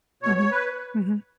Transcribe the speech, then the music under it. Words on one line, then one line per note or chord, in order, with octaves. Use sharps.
Mhm, mhm.
B2 C#5
C#5
B4